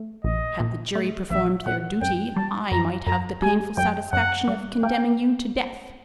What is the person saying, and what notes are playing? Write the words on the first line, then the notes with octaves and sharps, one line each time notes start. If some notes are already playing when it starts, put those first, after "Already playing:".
Had the jury performed their duty, I might have the painful satisfaction of condemning you to death.
Already playing: A3
A#1 D#5
A#2
A3
A#1 E5
A#2 F#5
F#2 G5
G3 A5
F#2 A#5
F#2 A#5
G3 G#5
F#2 G5
F#2 F#5
G3
A#3 G5